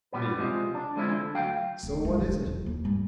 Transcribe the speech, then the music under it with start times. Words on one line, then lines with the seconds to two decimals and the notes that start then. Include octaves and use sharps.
ME: So what is it?
0.13 B2 G3 B3 B4
0.38 C3 F3 G#3
0.75 D4
0.96 D3 F3 G#3 C4 C#4 E4
1.11 D3
1.34 D2 F#3 F5 G5
1.83 D1
2.05 F#3 G#3
2.18 E1 F#3
2.44 E2 F3
2.66 D#2
2.84 G#2 G3